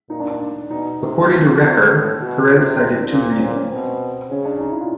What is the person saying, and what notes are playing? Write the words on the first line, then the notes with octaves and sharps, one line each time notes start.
According to Reker, Perez cited two reasons.
A#2 D#4
D4
D4
B2 D#4
C3
F4
F4
C3
A2
B2 F#4
C3 F4
E4
D4
A#2 C4
C4
A#2 C#4
C#4
B2 C4
C#3 C#4
D4
D#4
E4
F4